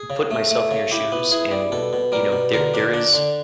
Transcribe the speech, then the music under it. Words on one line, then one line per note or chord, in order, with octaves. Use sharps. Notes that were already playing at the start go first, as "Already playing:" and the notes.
put myself in your shoes, and, you know, there there is
Already playing: G#4
C#3
A3
A3
C#3
E4 G4
B3
E4 G#4
G3
B2 A4
B2
G3 A#4
B2
D3 A#4
D4
D4
D3